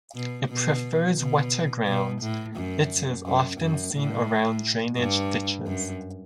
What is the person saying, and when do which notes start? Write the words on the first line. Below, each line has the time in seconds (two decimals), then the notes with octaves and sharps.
It prefers wetter ground; it is often seen around drainage ditches.
0.15 B2
0.49 B2
1.18 B2
1.87 B2
2.21 A2
2.56 F#2
3.25 F#2
3.60 F#2
3.94 A2
4.98 G2
5.67 F#2